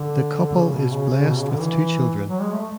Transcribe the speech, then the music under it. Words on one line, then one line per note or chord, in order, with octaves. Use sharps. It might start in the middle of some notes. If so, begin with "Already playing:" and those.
The couple is blessed with two children.
Already playing: D3
D3
C#3
B2
C#3
C#3
B2
C#3
D3
E3
F#3
G#3
A3